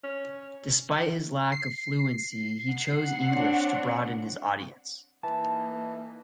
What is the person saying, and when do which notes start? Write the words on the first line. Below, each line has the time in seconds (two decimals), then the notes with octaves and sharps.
Despite his lack of fluency, he chose English to broaden his audience.
0.03 C#4
1.52 C7
2.75 F#5
3.30 C4 D4 C#5
5.23 E3 A#3 D#4 A5